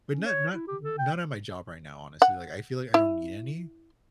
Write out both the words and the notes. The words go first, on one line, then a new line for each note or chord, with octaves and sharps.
but not not n not at my job right now, honestly- like, I feel like I don't need any
C#4
C#5
E4
G4
A4
G5
F#5
E4